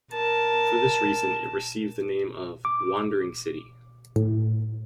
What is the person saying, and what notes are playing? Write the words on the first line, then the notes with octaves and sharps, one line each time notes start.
For this reason it received the name of "Wandering city".
A#4 A5
D6
A2